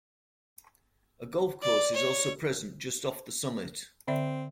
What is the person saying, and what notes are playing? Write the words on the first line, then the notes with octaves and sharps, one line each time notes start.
A golf course is also present just off the summit.
D5
C#5
D3 C4 D5 E5